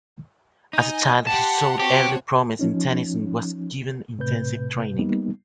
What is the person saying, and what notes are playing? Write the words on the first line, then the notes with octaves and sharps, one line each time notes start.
As a child, he showed early promise in tennis and was given intensive training.
D#4 D#5 G#5
G4 F#5 A5 C6
C4 F#4 G4 C#5
F3 C#4 D#4
A2 C3 B4 G6
G3 A#3 B3 D#4